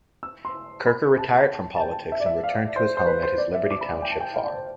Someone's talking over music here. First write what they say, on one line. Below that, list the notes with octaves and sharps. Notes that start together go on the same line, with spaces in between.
Kirker retired from politics, and returned to his home at his Liberty Township farm.
E6
C6
B5
A5
A5
G5
A5
E5
D5
E5
F5
C5
C5
B4
C5
D5
E5
D6
B5
G5
A5
G5
F5
D5
C5